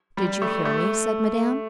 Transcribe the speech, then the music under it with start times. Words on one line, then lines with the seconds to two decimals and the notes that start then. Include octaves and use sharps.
"Did you hear me?" said Madame.
0.17 G3
0.42 A3
0.65 A3